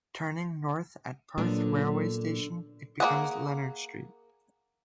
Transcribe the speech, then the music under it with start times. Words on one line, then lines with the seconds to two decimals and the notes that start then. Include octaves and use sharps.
Turning north at Perth railway station it becomes Leonard Street.
1.38 A#2 D3 F#3 B3 D4
3.00 A#3 E4 G#4 F#5